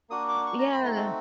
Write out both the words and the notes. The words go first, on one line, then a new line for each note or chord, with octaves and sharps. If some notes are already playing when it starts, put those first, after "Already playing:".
Oh, yeah.
A#3 D4 F#4 D#6
D6
C#6
A#5
B5
A3 C4 D#4 F#4 A#5
A5